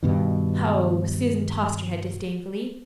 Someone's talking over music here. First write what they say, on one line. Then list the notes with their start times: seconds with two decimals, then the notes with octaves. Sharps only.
"Ho!" Susan tossed her head disdainfully.
0.03 G2 B2 D#3